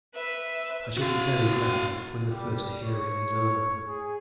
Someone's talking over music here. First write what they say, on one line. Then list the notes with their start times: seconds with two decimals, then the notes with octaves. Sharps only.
I shall be very glad when the first hearing is over.
0.15 B4 E5
0.97 F#4 F5
2.29 G3
2.80 C#5
3.87 G#4